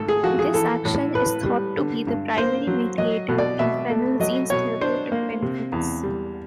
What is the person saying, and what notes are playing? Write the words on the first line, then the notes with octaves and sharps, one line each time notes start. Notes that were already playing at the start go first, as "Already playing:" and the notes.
This action is thought to be the primary mediator in phenelzine's therapeutic benefits.
Already playing: G#1 G#2 A3 A4
G#4
F3 F#4
G#4
E3 A4
A2
A2 B4
G3
D3
G2
A#3 C5
F#3
F#3 D#5
B2
D5
B2 E5
A3
F#3 D#5
B2 C#5
D4 C5
A#3
C3
E2
G3